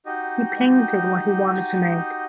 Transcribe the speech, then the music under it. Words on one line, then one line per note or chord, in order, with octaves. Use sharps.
He painted what he wanted to make.
D#4 F#4 G4 D#5